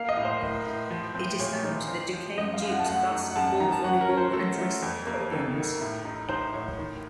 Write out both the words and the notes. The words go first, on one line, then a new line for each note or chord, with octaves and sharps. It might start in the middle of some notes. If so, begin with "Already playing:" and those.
It is home to the Duquesne Dukes basketball, volleyball and wrestling programs.
Already playing: A#3 F5
D#5
A2
C5
A2
A2
F3
C4
A#2 C#5
D#4
C4
F3
F#2 D#5
F5
F#2
F#5
A5
A3 F#5
D#4
F#5
F#2 A5
A5
D#3 A#5
A5
C#4 F#5
A#4
C#4
C5
A3 A4
A3
F2
A#3
D#3 A4
D#3
A2
D#4
D#4 C5
A2 C#5
D#3